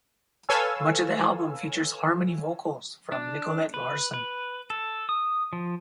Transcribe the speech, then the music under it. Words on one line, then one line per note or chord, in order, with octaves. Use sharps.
Much of the album features harmony vocals from Nicolette Larson.
A4 B4 C#5 F5 G#5 E6
D4
B4
B4
A4
D#6
F3